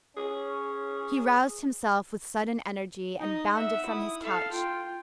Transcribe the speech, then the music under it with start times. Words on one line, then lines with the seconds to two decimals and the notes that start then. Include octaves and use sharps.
He roused himself with sudden energy and bounded from his couch.
0.17 C#4 G#4
3.19 D#4 D#5
3.54 E5 F#5
3.86 E4 D#6
4.22 A4 F5
4.51 F4 G5